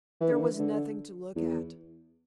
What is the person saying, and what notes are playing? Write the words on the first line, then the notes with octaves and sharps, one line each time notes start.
There was nothing to look at.
E3
D3
E3
D3
E2